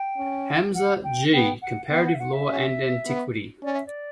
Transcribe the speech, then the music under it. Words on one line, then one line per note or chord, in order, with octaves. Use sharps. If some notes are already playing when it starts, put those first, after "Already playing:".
Hamza, G., Comparative Law and Antiquity.
Already playing: G5
C#4
F#5
G5
B3 G5
F#5
B3 G5
F#5
E5
F#5
E5
C#4
B3
C#4 D5
E5
D5